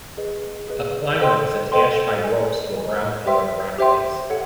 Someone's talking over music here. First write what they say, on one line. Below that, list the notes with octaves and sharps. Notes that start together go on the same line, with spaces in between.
A climber is attached by ropes to a brown colored rock face.
G#4 B4 D#5
G#4 B4 D#5
A4 C5 D#5 G5 C6
A4 C5 D#5 G5 C6
B4 D#5 G#5
B4 D#5 G#5
G4 C5 E5 G5 C6
G4 C5 E5 G5 C6
A4 C#5 F#5